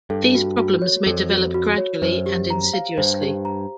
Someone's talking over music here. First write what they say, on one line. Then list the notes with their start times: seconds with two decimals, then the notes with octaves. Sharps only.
These problems may develop gradually and insidiously.
0.10 G2 A4
0.35 F#4
0.59 F#4
0.82 C#5
1.06 F2 A4
1.29 F#4
1.54 F#4
1.78 C#5
2.02 F#2 C5
2.26 G4
2.50 A#5
2.73 F5
2.98 G2 C5
3.22 G4
3.45 A#5